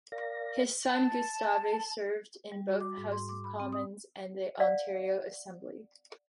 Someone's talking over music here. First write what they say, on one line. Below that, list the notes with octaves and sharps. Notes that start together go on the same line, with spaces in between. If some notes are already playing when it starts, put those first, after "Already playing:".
His son Gustave served in both the House of Commons and the Ontario assembly.
A#4 D5 F5 A#6
A5
G3
F#4
D6
G#2
C6
D6
B5
C4
D#6
D5 F5 F#5